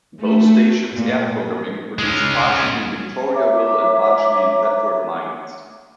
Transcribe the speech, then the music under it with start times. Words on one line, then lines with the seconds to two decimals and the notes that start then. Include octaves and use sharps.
Both stations air programming produced partially in Victoriaville and partially in Thetford Mines.
0.20 A3
0.95 A#2
1.99 G#3 C#4
3.34 C#5 E5 A#5 D6